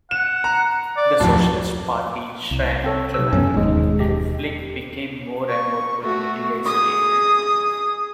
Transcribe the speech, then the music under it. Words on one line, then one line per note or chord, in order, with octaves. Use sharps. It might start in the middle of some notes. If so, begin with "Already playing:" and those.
The Socialist Party shrank dramatically and Flyg became more and more politically isolated.
F#5 E7
A#5
D5
D1 F2 A5
C2
C4 A4 C#5
B1 C3 E6
F#2 F#3 B3 C#4
E1 D#2 G#2 G#3
G4
C#6
A3 F#4
G#4 D#6